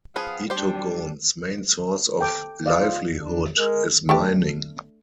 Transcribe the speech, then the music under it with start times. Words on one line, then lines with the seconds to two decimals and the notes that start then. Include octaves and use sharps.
Itogon's main source of livelihood is mining.
0.16 F3 B3 G#4 F5
0.50 G3 D4 G4 C5
2.19 A4 G5 D6
2.66 F4 D5 D#5 F5
3.20 D4
3.57 G#3 A#4
4.09 A3 D4 G4